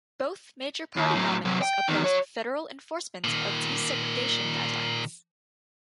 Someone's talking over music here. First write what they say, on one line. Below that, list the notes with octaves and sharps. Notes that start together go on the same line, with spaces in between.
Both major party nominees opposed federal enforcement of desegregation guidelines.
D#2
A2 F#3
C3 F#3
G5
E2 D#3
F#4 C#5
A#2 D#3